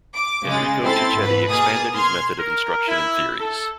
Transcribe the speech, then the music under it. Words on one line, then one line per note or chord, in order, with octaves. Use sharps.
Enrico Cecchetti expanded his method of instruction and theories.
D6
C#3 G#3 A6
C4 E4 A4 C6 A6
G#2 B4
B2 A#3 G#4 G#5 D#6 A6
C6 F6 G#6
A#4
E4
A4